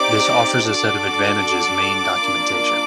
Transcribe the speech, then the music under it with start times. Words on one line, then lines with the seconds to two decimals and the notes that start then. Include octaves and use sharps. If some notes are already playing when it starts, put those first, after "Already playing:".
This offers a set of advantages main documentation.
Already playing: C4 D#4 G4 D5 D6
0.69 D4 F#4 A4 D5 D6
2.18 A#3 D4 F4